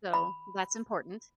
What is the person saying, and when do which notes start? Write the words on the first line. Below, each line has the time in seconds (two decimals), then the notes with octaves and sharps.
So, that's important.
0.14 B5